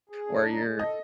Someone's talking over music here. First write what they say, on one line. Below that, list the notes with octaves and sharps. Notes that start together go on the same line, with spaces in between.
where you're
G#4
D4
D#4
G#3
A4 D#5